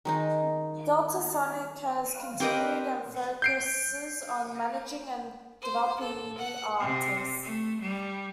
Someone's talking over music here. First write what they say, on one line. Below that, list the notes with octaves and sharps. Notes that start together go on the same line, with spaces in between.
Deltasonic has continued and focuses on managing and developing new artists.
D#3 G#3 D#4
C4 G4 A#4 B4 D#5
G6 C7 D7
C5
A4
F#5
C3
A3
G3